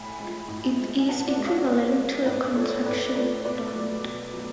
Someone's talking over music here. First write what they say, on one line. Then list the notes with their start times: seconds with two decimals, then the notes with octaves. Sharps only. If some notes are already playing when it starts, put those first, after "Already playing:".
It is the equivalent to the contraction "don't".
Already playing: A2 G#5 B5
0.20 F3 G#3
0.48 A2
0.78 F3 G#3
0.98 G#5
1.08 B2 F#5 A5
1.27 D5 F#5
1.37 G#3
1.47 C#5 F5
1.67 B2 C#5 F5
1.96 G#3
2.26 A2 B4 D5
2.55 F3 A3 A4 C#5
2.85 A2 B4 D5
3.15 F3 A3 B4 D5
3.45 B2 B4 D5
3.75 F#3 A3
4.04 B2
4.33 F#3 A3